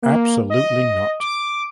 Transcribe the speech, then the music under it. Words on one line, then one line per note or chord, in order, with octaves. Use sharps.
Absolutely not.
A#3
D#5
D6